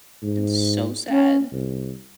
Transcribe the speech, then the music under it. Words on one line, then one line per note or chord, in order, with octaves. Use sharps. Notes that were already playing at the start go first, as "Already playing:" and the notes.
It's so sad.
G#2
C#4
C2